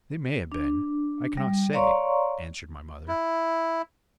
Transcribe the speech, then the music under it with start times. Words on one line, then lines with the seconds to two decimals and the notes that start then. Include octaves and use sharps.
"They may have been; I cannot say," answered my mother.
0.52 D4
1.37 G3
1.73 C#5 D5 F5 A#5 C6 C#6
3.07 E4